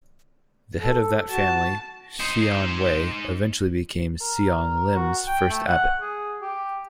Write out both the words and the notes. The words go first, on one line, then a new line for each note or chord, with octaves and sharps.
The head of that family, Xian Hui, eventually became Siong Lim's first abbot.
A4
F#4 A5
D#4 C5
A#4
F#4
G5
A3
F#5
G#4
G4